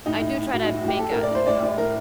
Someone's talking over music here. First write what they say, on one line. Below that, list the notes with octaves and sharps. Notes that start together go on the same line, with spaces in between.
I do try to make, uh, you know,
A2 D#4
A2
A2
A2 F#4
A2 D#4
F#4
A2 G4
A2 A4
A2 A#4
D5
A2 C5
A2 D5
A2
A2 A#4